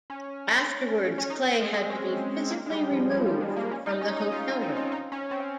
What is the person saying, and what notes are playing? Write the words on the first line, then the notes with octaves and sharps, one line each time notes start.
Afterwards Clay had to be physically removed from the hotel room.
C#4
C#4
D#4
C4
G#3
G#3
C#4
A#3
G#3
G3
F3
F3
G3
G#3
A#3
C#4
D#4
C#4
D#4
F4
C4
D#4
D#4
C#4
C4